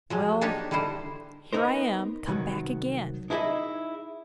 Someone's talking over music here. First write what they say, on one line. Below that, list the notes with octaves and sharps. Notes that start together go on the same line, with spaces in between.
Well, here I am, come back again!
F3 F#3 G#3
A#3 D4 D#4 G4 C#5
D3 G3 D#4 E4 C5
B3 D#4 A#4 C5
C2 D#3 F#3
D#4 E4 G#4 A4 D#5 E5